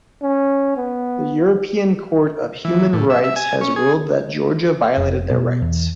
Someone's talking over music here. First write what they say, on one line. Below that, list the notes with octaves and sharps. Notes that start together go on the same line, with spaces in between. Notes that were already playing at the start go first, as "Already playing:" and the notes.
The European Court of Human Rights has ruled that Georgia violated their rights.
C#4
B3
E3
A2
E5
E5
G#5
C#4
G#4
F1
B2
E2